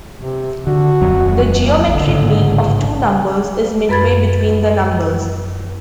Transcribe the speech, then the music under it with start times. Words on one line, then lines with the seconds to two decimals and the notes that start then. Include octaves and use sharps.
The geometric mean of two numbers is midway between the numbers.
0.20 C3
0.67 D3 F#4
1.01 D#1 F2 F#3
1.61 A#3
1.88 A1 D3
2.06 A1 G#2 C#3
3.89 F#2 B4 B5 G#6 A6